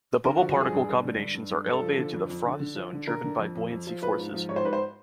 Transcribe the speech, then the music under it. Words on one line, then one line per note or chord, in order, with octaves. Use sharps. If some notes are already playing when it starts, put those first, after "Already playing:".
The bubble-particle combinations are elevated to the froth zone driven by buoyancy forces.
D3 A#4
F#4
F3
F#4
G2 G#4
G2
G2
D3
G2
G2
G2
G2 A4
F3
D3
F2
F2
D3
D3
F3
D3
D3 A#4
D3
F2
F2
F2
F3
F3 B4
G#2
F3
G#2 C#5
C5
G#2 B4
C5